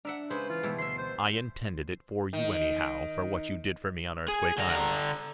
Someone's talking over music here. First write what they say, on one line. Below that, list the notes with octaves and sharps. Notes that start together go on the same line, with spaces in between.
I intended it for you, anyhow, for what you did for me on Earthquake Island.
D4 A#4 E5 F#5
C#3 G#3 B4 C5
E3 F4
G#2 B2 E3 G3 E4
D2 C3 E5 C6
C5
D#3
G#4
D3 A#5